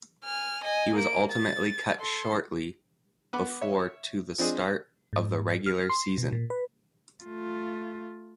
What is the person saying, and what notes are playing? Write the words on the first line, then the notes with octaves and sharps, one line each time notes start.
He was ultimately cut shortly before to the start of the regular season.
G#5 F6
D#5 G#5
A#3 D7
A6
A4 C6
B3 B5 D6
C#5 E5
F3 C4 D4 G#4 D#5
G#2
F6
C6
B2
A#2
B4
A3 F4